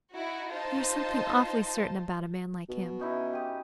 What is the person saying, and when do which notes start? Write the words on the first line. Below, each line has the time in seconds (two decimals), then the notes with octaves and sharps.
There is something awfully certain about a man like him.
0.13 D#4 E4 F#4
0.53 D#4 F4 C5 A5
2.69 B2
2.99 C#4 D#4 E4
3.33 G4 D#6